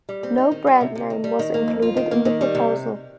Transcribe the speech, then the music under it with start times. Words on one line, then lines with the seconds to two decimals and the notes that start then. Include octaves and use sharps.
No brand name was included in the proposal.
0.09 G3
0.23 C4
0.38 D#4
0.51 D#3
0.67 G3
0.81 C3
0.95 C3
1.10 D#3
1.24 G3
1.39 D#3
1.54 A#3
1.68 F2
1.82 F4
1.97 D#3
2.11 A#3
2.25 D#3
2.41 G3
2.55 C3